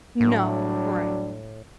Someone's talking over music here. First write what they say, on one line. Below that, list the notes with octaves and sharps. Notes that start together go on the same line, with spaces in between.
No, right.
A2 F#3 G3 D4